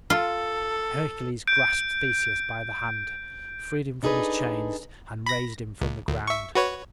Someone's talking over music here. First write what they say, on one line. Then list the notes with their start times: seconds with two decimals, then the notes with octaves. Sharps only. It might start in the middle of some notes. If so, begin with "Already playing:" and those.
Hercules grasped Theseus by the hand, freed him from his chains and raised him from the ground.
0.10 F4 A4
1.47 G6 D7
4.03 D4 D#4 G#4 A4 B4
5.26 B5 A#6
5.81 C#2
6.08 D2
6.27 E5 C#6
6.55 F#4 B4 C#5